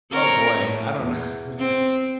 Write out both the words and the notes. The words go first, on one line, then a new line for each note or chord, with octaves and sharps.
Oh, boy. I don't kn
C4 A#4 C#5
A2
E2
C4